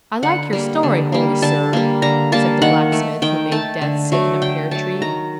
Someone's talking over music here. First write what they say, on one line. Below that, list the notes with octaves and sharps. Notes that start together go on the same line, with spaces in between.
"I like your story, holy sir," said the Blacksmith who made Death sit in a pear-tree.
D3 F#5
G3 A#3
D3
G3 A#3
D3 A5
G3 A#3
D3 A#5
G3 A#3 A5
D#3 F#5
A3
D#3 G5
A3 A5
D3
F#3 A3
D3 G5
F#3 A3 A5
D#3 A#5